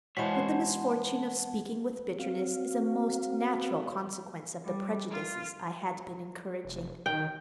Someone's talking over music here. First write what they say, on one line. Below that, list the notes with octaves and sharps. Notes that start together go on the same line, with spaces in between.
But the misfortune of speaking with bitterness is a most natural consequence of the prejudices I had been encouraging.
B2 E3 G#3 C5 C#5 F5 F#5 A5
C4 F#4 F5
G3
F4
F1
D#3 G5